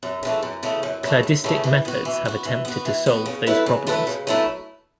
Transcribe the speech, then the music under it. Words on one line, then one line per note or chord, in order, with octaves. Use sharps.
Cladistic methods have attempted to solve those problems.
F#2
C#3 E3 A3
F#2
C#3 E3 A3
F#2
C#3 E3 A3
F#2
C#3 E3 A3
E3
B3 F#4
E3
B3 F#4
E3
B3 F#4
E3
B3 F#4
C#3
F#3 A3 E4 B4
C#3
F#3 A3 E4 B4
C#3
F#3 A3 E4 B4